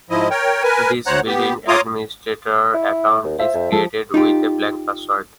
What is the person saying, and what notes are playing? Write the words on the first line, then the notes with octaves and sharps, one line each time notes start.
This built-in administrator account is created with a blank password.
G#2 F3 E4 D#5
A#4 C#5 G5
A#4 B4 G#5
D2 C5 C#5 F#5 A#5 F#6
B3 G4
F4 C#5 A#5 C6 D6 D#6
E4
D#2
F4 C5 E5
F2
F3 A4
D#4 F4 G4